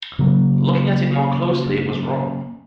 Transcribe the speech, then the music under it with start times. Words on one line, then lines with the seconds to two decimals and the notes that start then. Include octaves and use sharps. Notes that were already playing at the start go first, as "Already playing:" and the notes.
Looking at it more closely it was wrong!
0.19 C#3 F#3 A#3